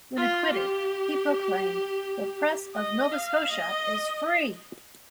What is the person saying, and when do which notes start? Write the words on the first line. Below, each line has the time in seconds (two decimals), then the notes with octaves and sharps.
When acquitted, he proclaimed: the Press of Nova Scotia is free.
0.16 F4
0.53 G4
2.75 D#5
3.12 F5
3.49 D#5